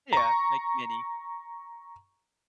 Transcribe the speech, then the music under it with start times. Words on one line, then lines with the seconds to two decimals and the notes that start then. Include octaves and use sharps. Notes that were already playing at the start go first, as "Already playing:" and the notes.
Yeah, make many
0.13 A#5 C#6